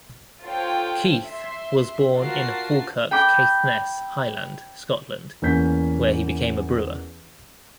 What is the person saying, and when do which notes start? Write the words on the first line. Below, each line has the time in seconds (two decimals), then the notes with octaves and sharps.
Keith was born in Halkirk, Caithness, Highland, Scotland, where he became a brewer.
0.43 F4 A4 C5 C#5 G5
1.26 E5 C6
2.18 F4 F#4 A#4 A5 C7
3.11 G5 B5 D6 G6
5.42 E2 A#3 C#4 G6 B6